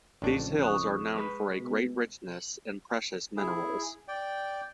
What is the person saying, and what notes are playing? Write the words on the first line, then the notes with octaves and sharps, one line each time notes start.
These hills are known for a great richness in precious minerals.
A1 F2 C#3 D4
C#6 D#6 F#6
G#3 B4
B2
E4 G#4
D5 G5